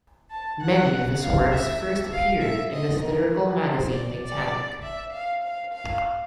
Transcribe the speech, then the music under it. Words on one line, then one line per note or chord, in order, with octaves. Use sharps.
Many of his works first appeared in the satirical magazine "Titanic".
A5
F#5
F5
E5
F5
E5
D#5
A#4
B4
C5
D5
D5
E5
F5
F5
F5